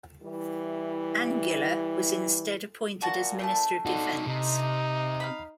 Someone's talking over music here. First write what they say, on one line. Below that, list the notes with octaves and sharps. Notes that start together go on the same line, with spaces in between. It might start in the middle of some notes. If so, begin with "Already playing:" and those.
Angula was instead appointed as Minister of Defense.
E3 G3 E4
A#2 F#4 A5
A3 D4 A5
D3 D#4 F#4
C3 D#4
F5 F#5 B5